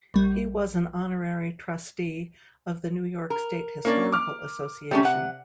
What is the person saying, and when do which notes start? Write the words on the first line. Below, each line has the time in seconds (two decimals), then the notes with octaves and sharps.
He was an honorary trustee of the New York State Historical Association.
0.14 A#1 G3
3.30 A#4
3.85 A#3 C#4 D4
4.12 D6 F6
4.91 C3 G3 A3 C#4
5.05 F#5